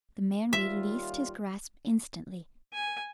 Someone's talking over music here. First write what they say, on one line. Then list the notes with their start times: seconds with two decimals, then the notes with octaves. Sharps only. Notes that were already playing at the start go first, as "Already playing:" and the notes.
The man released his grasp instantly.
0.53 D#2 G3 F4 E5
2.73 G#5